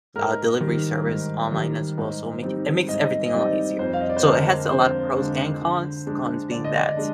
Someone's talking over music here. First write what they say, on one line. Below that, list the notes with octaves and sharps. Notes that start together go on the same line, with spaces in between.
uh, delivery service online as well, so make it it makes everything a lot easier. So it has a lot of pros and cons, the cons being that
G#2 A#4
D#3 G3
G#2
D#3 G3
G#2
G3 C4 D#4
G#2 D#5
D#5
G3 C4 D#4 D5
F2 C5
F5
D#5
D5
C5
D3 G#3 D4 A#4
F2 C5
D3 G#3 D4
D3
G#3 D4
D3 D5
D#5
D5
G#3 D4